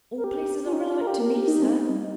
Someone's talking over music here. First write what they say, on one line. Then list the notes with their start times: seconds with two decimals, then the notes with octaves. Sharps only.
All places are alike to me, sir.
0.18 A#4
0.24 G4
0.65 F4
0.73 D#4
0.81 F4
1.01 A#4
1.07 G4
1.21 A#4
1.35 G4
1.48 D#4
1.63 C4
1.69 D#4
1.90 G3